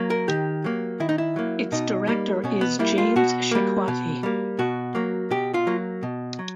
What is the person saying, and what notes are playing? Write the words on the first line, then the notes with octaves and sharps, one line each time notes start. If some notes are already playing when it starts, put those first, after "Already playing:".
Its director is James Shikwati.
Already playing: F#3 A#3
A#4
D#3 G4
F#3 A#3
D#3 E4
D#4
E4
F#3 A#3
B2 D#4
G3 A#3
B2 C#4
B3
G3 A#3 E4
F4
B2 F#4
G3 A#3
B2
G3 A#3
B2 F#4
F#3 A#3
B2 G4
F4
F#3 A#3
B2
F#3